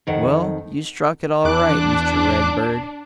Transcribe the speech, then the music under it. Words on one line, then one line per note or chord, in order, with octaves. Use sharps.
Well, you struck it all right, Mr. Redbird.
F2 D#3 F#5
E2 D4 D6 F#6